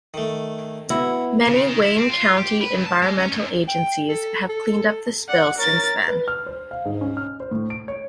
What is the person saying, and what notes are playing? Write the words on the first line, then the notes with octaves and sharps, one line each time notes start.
Many Wayne County environmental agencies have cleaned up the spill since then.
D#3 A3
B3 E4 F#4
C#3
D#3
E4
C4
F4
G4
B4
C#2
A5
G#3
C#4
F#2
G5
A4
A4
D5 F#5
A#4 C#5 A6
B4
F6
C5
F5
G#2
C#4
F6
C5
A2
D7
C#5